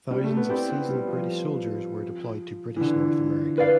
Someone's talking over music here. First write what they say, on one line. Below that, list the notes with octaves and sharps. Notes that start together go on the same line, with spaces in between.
Thousands of seasoned British soldiers were deployed to British North America.
G3
A3
B3
C4 E4 G4 D5
B3
G3
F3
E3
D3
B4 D5 F5